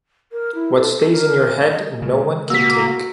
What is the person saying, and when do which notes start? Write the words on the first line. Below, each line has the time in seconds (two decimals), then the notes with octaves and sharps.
What stays in your head no one can take.
0.32 A#4
0.55 E4
0.75 A4
0.97 A4
1.12 A#4
1.71 D#5
2.02 C#3 G#3
2.50 A#3 F#4 E6 B6